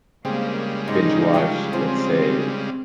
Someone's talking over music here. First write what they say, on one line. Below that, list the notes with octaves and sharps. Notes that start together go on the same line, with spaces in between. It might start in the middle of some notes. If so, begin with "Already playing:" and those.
binge watch, let's say,
C#3 G3 G#3 A#3 C4
G#2 D#4
F3 F#3 G5
F3 C4 G#4 C5